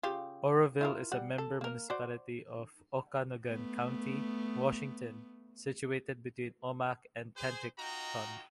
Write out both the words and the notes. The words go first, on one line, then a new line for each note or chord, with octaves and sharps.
Oroville is a member municipality of Okanogan County, Washington, situated between Omak and Penticton.
C#3 F4 G4
E4 F4 A#4
G3 F#5
A4
A#3 A#4
F#4 C5 D5
A3 B3
G#4 C5
D#4 F4 F#4 D#5 G5 A#5